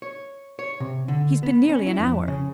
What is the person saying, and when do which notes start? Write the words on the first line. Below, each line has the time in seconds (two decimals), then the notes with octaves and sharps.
He's been nearly an hour.
0.02 C#5
0.59 C#5
0.80 C3
1.08 D3
1.43 B3
1.69 C#4
1.86 E4
1.99 F2
2.28 C#3